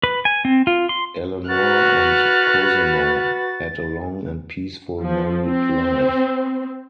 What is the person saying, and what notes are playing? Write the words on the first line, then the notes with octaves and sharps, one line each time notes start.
Eleanor and Cosimo had a long and peaceful married life.
B4
G#5
C4
F4
C6
F#4 B4 F6 F#6 A6
F3
C4